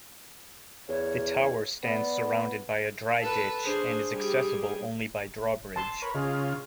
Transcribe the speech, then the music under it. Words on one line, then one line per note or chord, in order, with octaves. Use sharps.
The tower stands surrounded by a dry-ditch and is accessible only by draw-bridge.
E2 C#5
B3 D5
A4 B4
D4 G#4 C5
G3 G4 G#4
A5 C6
A#4 B4 C#5
C#3 F4 G#4 D#5